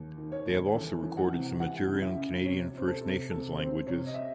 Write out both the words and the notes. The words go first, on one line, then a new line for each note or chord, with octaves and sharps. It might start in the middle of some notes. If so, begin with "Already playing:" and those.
They have also recorded some material in Canadian First Nations languages.
Already playing: D#2
D#3
C#5
D#2
E3 A4
E3
F#5
C3
E3 F#5
C#3
E5
C#3
C3 C#5
C3 C5
A4
C3
C3 A4
C4 C5
C3 C#5
D#5
E5